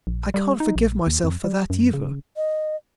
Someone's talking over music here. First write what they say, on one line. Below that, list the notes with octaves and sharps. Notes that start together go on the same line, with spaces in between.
I can't forgive myself for that, either.
A#1
G3
D#4
A#1
D#2
F2
G3
F#2
C#3
D#5